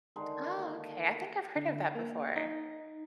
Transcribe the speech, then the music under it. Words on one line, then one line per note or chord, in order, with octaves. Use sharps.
Oh, okay. I think I've heard of that before.
D3 D#3 G#3 D#4
A#3
D3
A#3
D#4